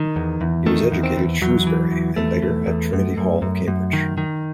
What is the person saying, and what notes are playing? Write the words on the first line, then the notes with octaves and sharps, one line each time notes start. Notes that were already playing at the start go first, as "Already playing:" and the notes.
He was educated at Shrewsbury and later at Trinity Hall, Cambridge.
Already playing: D#3
E2
E2
D#3 A3
E2
C4
E2
E2 F#3
E3
E2
E2 A3
E2
E2
F#2
F#2
F#2
F#2
D#3
D#3